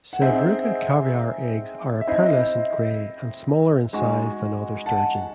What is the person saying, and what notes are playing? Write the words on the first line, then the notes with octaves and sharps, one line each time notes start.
Sevruga caviar eggs are a pearlescent grey, and smaller in size than other sturgeon.
F#5
C4 D#4 G#4 D#5 E5
E5
C4 E4 C5 D#5
G#3 D#4 F#4
F#5 A5